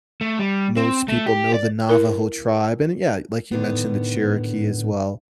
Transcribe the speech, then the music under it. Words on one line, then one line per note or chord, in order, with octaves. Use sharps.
most people know the Navajo tribe, and, uh, yeah, like you mentioned, the Cherokee as well,
A3
G3
C4
A3
G4
D5
E4 A#4
A2 D3 D#3 B3